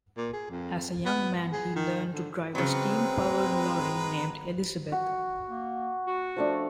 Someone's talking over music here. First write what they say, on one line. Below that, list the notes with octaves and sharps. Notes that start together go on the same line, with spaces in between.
As a young man, he learned to drive a steam-powered lorry named Elizabeth.
A#2
G#4
F2
B3
G#4
D#3
D3
C#3 F#3 G#3 C4 B4 A#5
F#4
A#3
F#4
F3 A3 D4